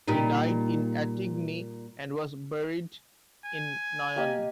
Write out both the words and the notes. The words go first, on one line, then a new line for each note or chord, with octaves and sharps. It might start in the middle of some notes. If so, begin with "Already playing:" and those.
He died in Attigny and was buried in Noyon.
A#2 G3 D#4
G#5
A#3 G4 D#5